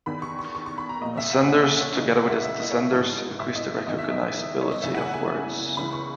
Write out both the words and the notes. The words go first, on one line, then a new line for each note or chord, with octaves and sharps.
Ascenders, together with descenders, increase the recognizability of words.
E2 D#3 B5
C#6
C#6
C#6
C#6
B5
A#5
A#1 A#2 D#5
E5
F#5
G#5
F#5
E5
C#5
D#2 C#3 E3 D#5
F#5
E5
E5
D#5
C#5
D#5
G#1 G#2 E3
E5
D#5
E2 D#3 D#5
E5
D#5
D#5
C#5
D#5
F#1 E2 C#3 E3 E5
F#5
G#5
G#5
C#2 C#3 E3 B5
C#6